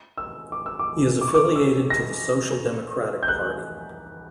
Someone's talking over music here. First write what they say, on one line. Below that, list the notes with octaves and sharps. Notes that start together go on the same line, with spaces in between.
He is affiliated to the Social Democratic Party.
E6
D6
E6
D6
D6
C#6
D6
E6
A#6
G6
F#6